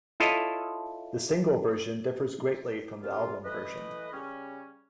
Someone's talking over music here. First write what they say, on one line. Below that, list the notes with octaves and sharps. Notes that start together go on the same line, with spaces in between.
The single version differs greatly from the album version.
E4 F4 A4 C#5 D#5
C2 F#2 F4
E3 A3 B4 D#5
C#3 G3 C#4